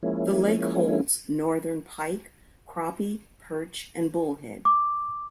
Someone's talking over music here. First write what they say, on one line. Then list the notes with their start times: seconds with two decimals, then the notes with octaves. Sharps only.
The lake holds Northern Pike, crappie, perch, and Bull Head.
0.03 F3 G#3 A#3 C#4 E4
4.65 D6